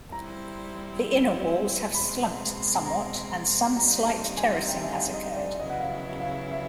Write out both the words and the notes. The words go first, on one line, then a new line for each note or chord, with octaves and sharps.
The inner walls have slumped somewhat, and some slight terracing has occurred.
G3 C4 E4 A#5
B2 G#3 C4 B5
A#5
D3 G3 C4 D#4 A#5
A5
G#5
G5
E5
F5
D#5
D5
C#3 F#3 B3 E4 D#5
F#5
F5
E5
F5
E5